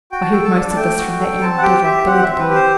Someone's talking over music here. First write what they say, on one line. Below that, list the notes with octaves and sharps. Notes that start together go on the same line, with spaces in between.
'I heard most of this from that young devil, Billy the Boy.
F#4 G5
A5
A4 G5
A5
D4
A5
A3 G5
F#4
A4
C4 A5
F#5
G4 G5
G4 E5
C4 F#5
E5
C4
B4
G4
C5